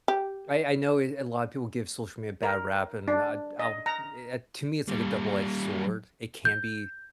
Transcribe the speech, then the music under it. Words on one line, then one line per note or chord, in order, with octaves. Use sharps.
I I know a lot of people give social media bad rap, and I'd I'll, eh eh, to me, it's like a double edged sword. It can be
G4
A#4
D4
D#5
A#5
A#2 G3
G6